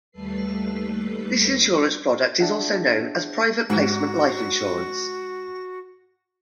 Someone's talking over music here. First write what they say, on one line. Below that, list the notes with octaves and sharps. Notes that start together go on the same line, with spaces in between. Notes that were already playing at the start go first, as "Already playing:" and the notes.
This insurance product is also known as Private placement life insurance.
D#2 G3 A3 A4 B4 C7
D4 G#4 E5 F#5
G#2 F#4